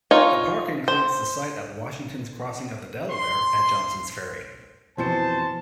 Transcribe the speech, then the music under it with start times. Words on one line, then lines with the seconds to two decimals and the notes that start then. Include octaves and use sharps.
The park includes the site of Washington's crossing of the Delaware at Johnsons Ferry.
0.11 D#4 F4 C#5 G#5
0.88 C5
3.09 C6
4.98 F2 B2 E3 C5 A5 C#7